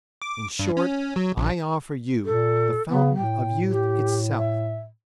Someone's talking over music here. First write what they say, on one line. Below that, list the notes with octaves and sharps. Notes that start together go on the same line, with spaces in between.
"In short, I offer you the fountain of youth itself!"
D6
G2
C#4
F#3
A#1
A#2 A4
C#3 B3
A2 G5
G4
E5